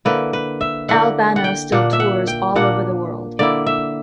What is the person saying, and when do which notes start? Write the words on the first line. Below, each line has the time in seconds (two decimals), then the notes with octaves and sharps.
Al Bano still tours all over the world.
0.05 D3 A#3 E4 B4
0.33 B4
0.61 E5
0.89 D3 A#3 E4 F#5
1.36 F#5
1.44 G5
1.72 A#2 A#3 D4 F#5
1.93 E5
2.00 F#5
2.27 G5
2.56 A#2 A#3 D4 F#5
3.39 D3 A#3 E4 D5
3.67 E5